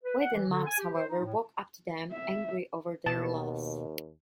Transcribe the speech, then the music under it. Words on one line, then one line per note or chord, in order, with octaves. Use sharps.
Wade and Max, however, walk up to them, angry over their loss.
B4
F#5
E3
D3
G#5
G4
C5
D#4
A2
E5
D#2 B2 A5